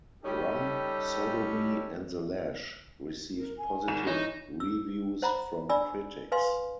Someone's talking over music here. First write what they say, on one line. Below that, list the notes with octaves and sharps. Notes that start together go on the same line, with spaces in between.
"Rum Sodomy and the Lash" received positive reviews from critics.
G3 C#4 D#4 G4 A4
A#4
G#5
G#1 G#2 E7
E3 D#4 C#5
E6
C5 F#5 A#5 B5
D4 D5 G#5 B5 E6
B4 F5 G#5 C6